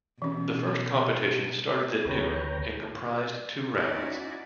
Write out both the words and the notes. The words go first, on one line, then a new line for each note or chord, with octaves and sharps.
The first competition started at noon and comprised two rounds.
B2 E3 C#4
D2 B4 C#5 G5 A#5
C#4 D#4 E4 F#4 D5 D#5